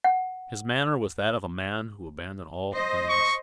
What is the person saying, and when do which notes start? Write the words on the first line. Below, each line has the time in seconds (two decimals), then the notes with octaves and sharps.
His manner was that of a man who abandoned all claims.
0.04 F#5
2.73 C5 D#5
3.09 C#6